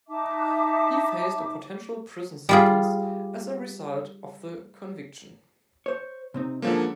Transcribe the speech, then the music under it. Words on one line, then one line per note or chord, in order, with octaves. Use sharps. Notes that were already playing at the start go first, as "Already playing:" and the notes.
He faced a potential prison sentence as a result of the conviction.
D#4 E5 A5 D6
G3 F4 G#4
C5 C#5
C3 C4 D#4
D3 F3 F#3 G#3 A#3 C#4